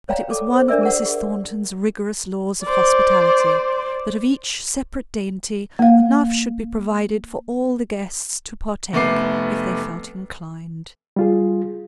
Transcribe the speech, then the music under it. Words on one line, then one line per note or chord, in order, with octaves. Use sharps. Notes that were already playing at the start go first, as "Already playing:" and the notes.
But it was one of Mrs. Thornton's rigorous laws of hospitality, that of each separate dainty enough should be provided for all the guests to partake, if they felt inclined.
C#5 D5 F5 G5 A#5
A4 D6
C5
D4 A#4 D5 E5 E6
G#4 A#4 F#5
G#4
C5 D5
A#3 F5
F1 A3 B3 D6 C7
G3 F4 G#4